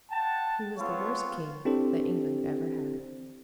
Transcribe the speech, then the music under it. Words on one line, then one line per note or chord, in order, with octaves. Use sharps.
He was the worst king that England ever had.
F#5 G5 A5
B3 C4 F4 C#5 F5
C4 D4 E4 G4 A4 C5